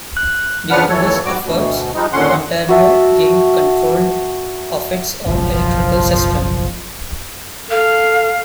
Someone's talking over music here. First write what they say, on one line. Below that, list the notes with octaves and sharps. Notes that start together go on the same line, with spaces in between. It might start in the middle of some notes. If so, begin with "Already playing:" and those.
Due to his efforts, Ontario gained controlled of its own electrical system.
F#6
C#3 F3 D4 B4 F#5 F6
D#2 E3 A4 C#5
G#2 G3 F#4 D6
D2 B2
F3 G3 G#3 D#4
D#2 A#2 D3 C#4 F#5 C6
F#4 E5 A5
F#1 B1 G#2 F3
A4 F5